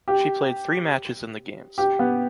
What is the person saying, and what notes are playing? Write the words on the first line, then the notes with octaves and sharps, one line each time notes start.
She played three matches in the Games.
G4
G4
B3